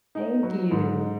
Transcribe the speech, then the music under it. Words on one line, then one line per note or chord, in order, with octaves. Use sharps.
Thank you.
D#4
F#3
G#2
D#4